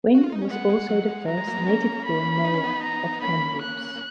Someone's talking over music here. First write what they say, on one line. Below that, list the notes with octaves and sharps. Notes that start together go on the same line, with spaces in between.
Wing was also the first native-born mayor of Kamloops.
F#4
F4
D#4
C#4
G#3 B3 F#5
G#3
F#3
G#3
F#3 A#5
G#3
F#3 A#3
G#3 B3
A#3 C#4
B5
D#4
C#4
B3 D#4
A#5
A#3 C#4 B5
F#6
A#3